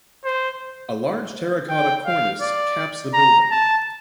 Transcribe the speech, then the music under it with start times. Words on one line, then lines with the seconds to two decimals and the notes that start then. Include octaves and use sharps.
A large terra cotta cornice caps the building.
0.25 C5
1.69 G5
2.06 F5
2.41 D5
3.14 A#5
3.51 A5